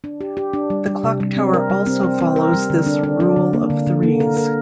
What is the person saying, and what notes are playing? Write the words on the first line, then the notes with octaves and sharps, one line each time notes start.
The clock tower also follows this rule of threes.
D4
G4
G4
D4
G3
G3
C3
G3
C4
A#4
G3
C4
C4
C4
A#4
G3
D3
D4
D4
D4
D3
A#3
D3
D3
A#3
A#4
A#4